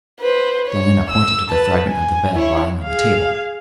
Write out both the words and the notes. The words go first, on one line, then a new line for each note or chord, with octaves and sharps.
Diana pointed to the fragment of the veil lying on the table.
B4 C5
C#5
E6
B4 A5
G#5
E4 C#5
G#4 F5